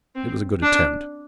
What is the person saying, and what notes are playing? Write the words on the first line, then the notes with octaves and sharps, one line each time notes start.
It was a good attempt.
C4
D4